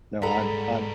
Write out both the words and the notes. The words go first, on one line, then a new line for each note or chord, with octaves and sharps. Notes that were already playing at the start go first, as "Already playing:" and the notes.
No, I'm I'm
G#2 G3 G#4 A4 F#5 A#5 B5